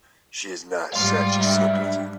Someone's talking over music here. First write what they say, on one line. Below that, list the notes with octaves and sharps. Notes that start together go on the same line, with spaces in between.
She is not such a simpleton.
G#2 G3 F5 C6
G2 E5